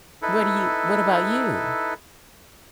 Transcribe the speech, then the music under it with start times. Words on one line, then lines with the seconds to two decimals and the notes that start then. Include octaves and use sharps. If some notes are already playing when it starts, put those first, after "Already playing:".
What do you what about you?
0.22 D#4 E4 A4 B4